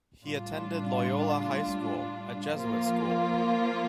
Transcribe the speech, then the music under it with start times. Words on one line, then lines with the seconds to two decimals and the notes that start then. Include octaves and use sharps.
He attended Loyola High School, a Jesuit school.
0.22 A2 G3 D4 F4
2.56 F3 A#3 F4